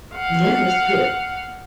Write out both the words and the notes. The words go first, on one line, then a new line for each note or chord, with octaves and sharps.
Yeah, just do it.
F5 F#5